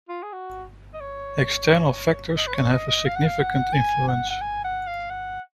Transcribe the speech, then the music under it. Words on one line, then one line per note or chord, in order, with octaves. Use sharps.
External factors can have a significant influence.
F4
G#4
F#4
D#5
C#5
D#5
B4
C#5
D#5
D#5
F5
F#5
F5
F#5
G#5
F#5
F#5
G#5
F#5
F5
F#5